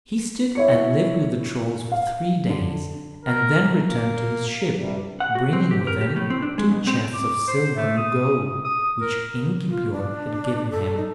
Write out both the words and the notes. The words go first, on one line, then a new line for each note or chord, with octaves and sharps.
He feasted and lived with the trolls for three days, and then returned to his ship, bringing with him two chests of silver and gold, which Ingibjorg had given him.
E4 C#5 C#7
F5
D3
A#4
A#3 A#4
G2 C3 G3
F#5
F#4
C4
G4
A#4
G4
A2
C4
D4
G#3
B2
C4
D6
C5
A3
D#6
D#6
A#4
F4
D4
A4
D#4